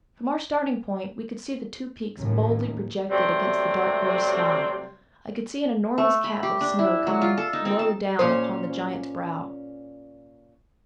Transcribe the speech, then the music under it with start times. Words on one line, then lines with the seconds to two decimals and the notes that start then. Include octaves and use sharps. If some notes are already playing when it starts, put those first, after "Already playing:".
From our starting point we could see the two peaks boldly projected against the dark grey sky; I could see an enormous cap of snow coming low down upon the giant's brow.
2.15 D#2 A2 D#3 C#4
3.10 C3 F#3 G3 A3 C4
5.98 A3
6.24 B5
6.43 G4
6.61 D4
6.79 E4
7.07 F#3
7.21 F4
7.38 A4
7.53 D#4
7.65 C4
7.79 A5
8.19 A#2 C#4 C5